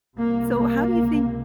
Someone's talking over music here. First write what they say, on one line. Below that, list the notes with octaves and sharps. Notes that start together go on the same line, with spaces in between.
So how do you think
C2 C3 A#3
A#3
C#2 C3